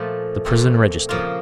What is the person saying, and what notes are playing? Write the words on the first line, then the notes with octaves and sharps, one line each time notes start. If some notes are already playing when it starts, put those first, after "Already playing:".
The Prison Register.
Already playing: A#2 F3 A3
A#2 A3 C4
C#3 F3 A#3 F4